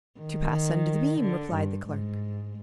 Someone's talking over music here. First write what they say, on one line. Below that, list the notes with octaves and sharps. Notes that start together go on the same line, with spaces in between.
"To pass under the beam," replied the clerk.
D#3
D3
G2
G#2